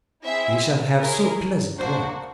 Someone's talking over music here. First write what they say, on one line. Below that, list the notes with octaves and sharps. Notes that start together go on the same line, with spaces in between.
We shall have so pleasant walk.'
C4 E4 G#4 E5
C#4 E4 G#4 A#4
A#3 D4 F#4 C5